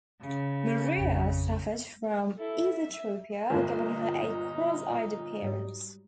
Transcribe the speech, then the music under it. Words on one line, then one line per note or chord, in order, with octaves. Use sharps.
Maria suffered from Esotropia giving her a "cross-eyed" appearance.
C#3
A1 F2
E4 A4
E5
G1 A#2 D#4 F4 A#4
G#2 F#3 G3